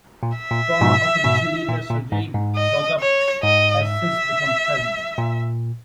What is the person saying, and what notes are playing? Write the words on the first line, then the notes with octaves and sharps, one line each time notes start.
Former opposition leader Sergei Bagapsh has since become president.
A#2
E5
A#2
G#2 B2
G#2 B2
A#2
A#2
G#2
G#2
D#5
C#5
G#2 D#5
E5
A#2